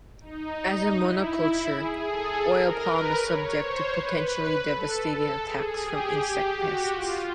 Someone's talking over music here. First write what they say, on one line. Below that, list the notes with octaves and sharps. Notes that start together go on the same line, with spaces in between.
As a monoculture, oil palm is subject to potentially devastating attacks from insect pests.
D#4
E4
G#4
A4
A#4
B4
C#5
C5
B4
A4
G#4
G4
F#4
F4